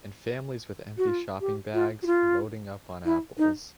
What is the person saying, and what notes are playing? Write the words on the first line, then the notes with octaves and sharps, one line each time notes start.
And families with empty shopping bags, loading up on apples.
F#4
F4
G4
F4
F#4
F4
E4
D#4